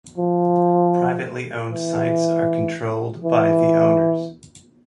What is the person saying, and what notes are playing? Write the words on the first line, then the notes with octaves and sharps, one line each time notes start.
Privately owned sites are controlled by the owners.
F3
E3
E3